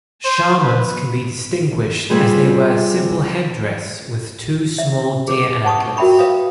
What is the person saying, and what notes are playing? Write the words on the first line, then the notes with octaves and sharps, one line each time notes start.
Shamans can be distinguished as they wear simple headress' with two small deer antlers.
C5
B4
C3 G3 C4 F4 G#4 B4
E5
G#4 B4 D6
F#5 A5 C#6 D#6
F#4 A#4 E5 G5 B5 C#6
B4 F5 D#6